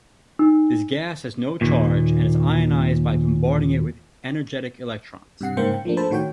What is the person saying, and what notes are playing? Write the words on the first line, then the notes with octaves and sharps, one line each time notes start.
This gas has no charge and is ionized by bombarding it with energetic electrons.
D#4
D#2 A#2
G2 C3 F#5 C7
G#2 C#3 A#3 C5 G5 C#7
G5
F3 A3 A#3 D4
A4 C5 A5 B5
A2 D#3 F#4 C#5 G5